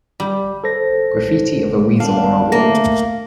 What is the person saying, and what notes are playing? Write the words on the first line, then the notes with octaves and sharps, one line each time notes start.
Graffiti of a weasel on a wall.
G3
A4 C5 A#6
B3 D4 F5
A3 A#3 A#6